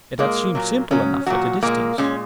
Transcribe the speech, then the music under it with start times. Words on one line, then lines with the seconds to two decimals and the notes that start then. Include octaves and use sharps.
It had seemed simple enough at a distance.
0.19 A#2 G#3 A#3
0.55 A#2 F#3
0.91 C#3 F#3 C#4
1.26 A#2 F#3 F#4
1.63 A#2 G#3 A#3
1.98 A#2 G#3 C#4